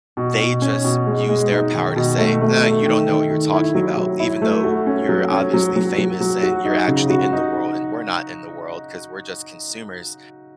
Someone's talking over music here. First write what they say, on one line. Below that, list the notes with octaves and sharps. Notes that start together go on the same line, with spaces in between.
they just use their power to say, "Ah, you don't know what you're talking about. Even though you're obviously famous and you're actually in the world and we're not in the world, 'cause we're just consumers,
B2
B2
C#4
B2
G#3
G#3
D#4
D#3
B2
A3
A3
A3
D#3
D#3
D#3
E4
F#3
F#3
E4
A3
F#4
C#4
F#3
C#4
F#3
F#3
F#3
F#3
F#4
D#4
C#3
F#4
D#4